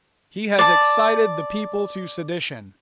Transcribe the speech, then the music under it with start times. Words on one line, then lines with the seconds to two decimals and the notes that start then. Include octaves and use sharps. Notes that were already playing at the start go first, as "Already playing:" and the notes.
He has excited the people to sedition.
0.59 D5 A5